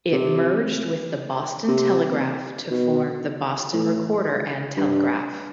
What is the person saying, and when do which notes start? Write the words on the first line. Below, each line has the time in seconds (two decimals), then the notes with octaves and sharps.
It merged with the "Boston Telegraph" to form the "Boston Recorder and Telegraph".
0.12 C3
1.68 C3
2.71 B2
3.73 A2
4.77 G2